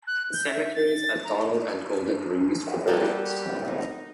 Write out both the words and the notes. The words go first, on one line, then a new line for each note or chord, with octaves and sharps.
The cemeteries at Donald and Golden were used for burials.
F#6
G6
E5
A6
A#5
G3 A#3 B3 F#4 A4
G4
D#4